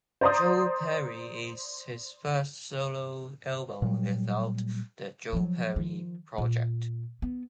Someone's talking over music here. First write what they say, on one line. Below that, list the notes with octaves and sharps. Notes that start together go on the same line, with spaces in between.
"Joe Perry" is his first solo album without The Joe Perry Project.
C5 D5 A#5 C6 D#6
A#2 F#3 G3
F3 F#3
D#3 F3
A#2
B3